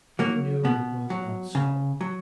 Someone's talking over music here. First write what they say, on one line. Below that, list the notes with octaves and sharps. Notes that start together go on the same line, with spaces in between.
He knew it was not so.
F#3 A#3
B2 B3
F#3
C#3
F#3